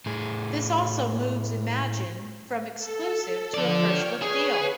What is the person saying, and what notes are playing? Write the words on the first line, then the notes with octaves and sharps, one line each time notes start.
This also moves Imagine from exclusive to a first look deal.
A2 G#4
A4
F3 A4 D5
C#5 G5 F6
G#4 B4 C#5